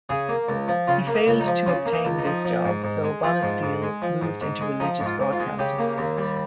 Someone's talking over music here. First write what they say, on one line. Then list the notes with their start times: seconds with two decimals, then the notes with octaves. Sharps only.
He failed to obtain this job, so Bonisteel moved into religious broadcasting.
0.09 C#3 G#4
0.29 A#3
0.49 C#2
0.68 F3
0.87 C#3 F4
1.07 A#3
1.14 D#4
1.27 C#2
1.40 D#4
1.47 F3
1.67 C#3 F4
1.86 A#3
1.93 D#4
2.05 C#2
2.19 D#4
2.25 F3
2.45 F3
2.64 G#2
2.84 G#2
3.04 G#3
3.23 F3 F4
3.43 G#2
3.63 G#2
3.82 G#3
4.02 F3
4.21 G#2
4.41 G#2
4.61 G#3
4.80 F3 D#4
5.00 G#2
5.06 F4
5.20 G#2
5.33 F4
5.39 G#3
5.59 C#3 G4
5.78 A#3
5.98 D#2
6.18 G3